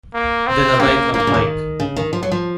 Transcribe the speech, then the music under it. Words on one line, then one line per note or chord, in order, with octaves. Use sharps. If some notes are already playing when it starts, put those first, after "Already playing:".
Then a right on Pike.
A#3
C4
C#3 A#3
F3 A#3
D#3
C#3
D#3
C#3
D#3
F3
F#3
F3